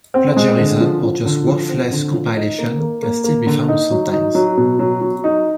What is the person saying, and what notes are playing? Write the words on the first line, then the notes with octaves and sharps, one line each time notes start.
Plagiarism or just worthless compilations can still be found sometimes.
C4
G#3
D3
F3
F3
D3
F3
C4
D3
F3
D#4
A#3
A#3
A#3
A#3
D3
D#4
F#3
D#4
F#3
B2
F#3
F#3
D#4